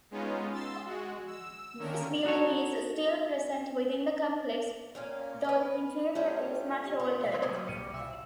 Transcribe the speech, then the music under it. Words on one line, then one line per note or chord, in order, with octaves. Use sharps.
This building is still present within the complex, though the interior is much altered.
G#3 B3 C#4 D#4 F4
C6 E6 A6
G#3 F#4
E6
D3 D#3 C#4 A#4
D#4 F#4 A4 C#5
A#2 C#4 F5
B4 D#5
G3 A3 C#4 F4
F4
F#3 G3 A#3 D#6
E1 C2 D6 F6 C#7 D#7
E5